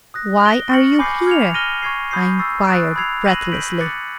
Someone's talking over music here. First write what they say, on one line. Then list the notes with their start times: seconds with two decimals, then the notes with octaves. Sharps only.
"Why are you here?" I inquired breathlessly.
0.14 D#6 F#6 A#6
0.42 F#6 A#6 D7 G7
0.70 C#6 F6 A6 C#7 F#7
0.99 G#5 B5 D6 G6 C7
1.26 F6 G#6 C#7 F7
1.54 F6 A#6 D#7 G7
1.82 C#6 F6 G#6 C7
2.11 B5 D#6 G6 C7
2.39 C#6 E6 A6 C7
2.67 D#6 F#6 A6 D7
2.96 B5 E6 G#6 C7 F7
3.24 F#6 A#6 D#7 F#7
3.52 G6 B6 D7 F#7
3.80 D6 F#6 A6 C#7